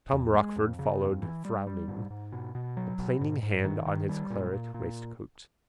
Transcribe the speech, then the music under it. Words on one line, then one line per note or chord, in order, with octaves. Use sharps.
Tom Rochford followed frowning, a plaining hand on his claret waistcoat.
E2
G#3
F2
C#3
F2
E3
G3
G3
G#2
G#2
B2
B2
F#3
B2
G#2
G#2
D#3
D#3
G3
A#2
A#2
A#2